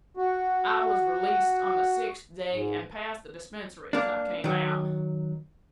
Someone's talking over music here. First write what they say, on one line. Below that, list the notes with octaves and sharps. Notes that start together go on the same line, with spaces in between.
I was released on the sixth day and passed the dispensary as I came out.
F#4
G#2
A#3 D4
D#3 F#3